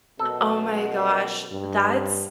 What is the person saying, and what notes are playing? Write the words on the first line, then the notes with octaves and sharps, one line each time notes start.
Oh my gosh, that's
F#2 B2 A4
G2